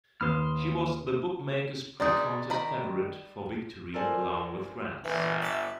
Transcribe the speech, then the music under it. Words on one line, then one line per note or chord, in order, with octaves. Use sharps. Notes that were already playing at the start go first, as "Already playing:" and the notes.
She was the bookmakers' pre-contest favorite for victory along with France.
D#2 B4 B5 C6 D#6 F6
G#3 B3 D#4 D5 D#6
D#3 A#5 B5
F4 A4 A#4 C5 D5 G#5
G1 A#2 E3
E5 A5 B5